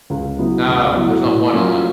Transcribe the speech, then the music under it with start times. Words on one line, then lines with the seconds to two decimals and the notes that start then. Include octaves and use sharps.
No, there's no point on that.
0.10 C#2
0.39 C#3 F#3 B3 E4
0.68 C#2
0.95 C#3 F#3 B3 E4
1.23 A2
1.52 F#3 A#3 C#4 F4